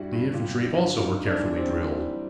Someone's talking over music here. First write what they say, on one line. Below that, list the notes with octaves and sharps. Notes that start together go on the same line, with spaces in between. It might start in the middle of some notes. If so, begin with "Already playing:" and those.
The infantry also were carefully drilled.
Already playing: G2 G3 E4 F#4
G2
G2 F4 G4
G3
G2
G2 D#4 F4
G2
D4 E4
E3
G3 C4 D4
E3
G3